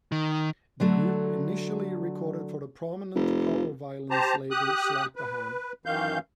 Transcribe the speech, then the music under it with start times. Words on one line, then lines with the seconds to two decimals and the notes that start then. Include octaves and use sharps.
The group initially recorded for the prominent powerviolence label Slap-a-Ham.
0.12 D#3
0.80 D3 F#3 A3
3.16 F1
4.10 G4 C5 A5 A#5
4.51 G4 D#6 F#6
5.16 B4
5.86 F#2 D#3 E3 F5 G6